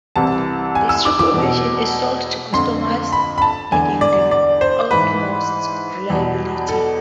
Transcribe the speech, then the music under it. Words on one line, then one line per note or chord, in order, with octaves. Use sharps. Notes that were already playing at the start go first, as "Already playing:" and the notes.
The triple version is sold to customers needing the utmost reliability.
C2 C3 E3 A5
G#5
E6
D6
D6
E2 B2
F2 D3 C6
B5
B5
A5
E2 D3 G#5
D5
D5
C5
G#2 E3 B4
E2 B2
A4